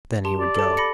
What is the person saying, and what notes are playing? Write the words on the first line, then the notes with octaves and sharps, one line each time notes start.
Then he would go.
G4 A5 C6
D5
A4 A5
B5 A#6 C#7